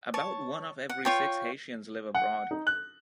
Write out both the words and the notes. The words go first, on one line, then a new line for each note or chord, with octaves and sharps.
About one of every six Haitians live abroad.
C#5 A5
F#5
F4 C#5 G5
F#5
D#4
F#6